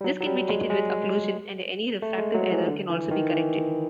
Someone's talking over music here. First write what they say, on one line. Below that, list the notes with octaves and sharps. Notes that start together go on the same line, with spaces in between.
This can be treated with occlusion, and any refractive error can also be corrected.
G3
F#3
F#3
G3
G#3
G#3
A3
G#3
F#3
E3
D3
E3
D#3
E3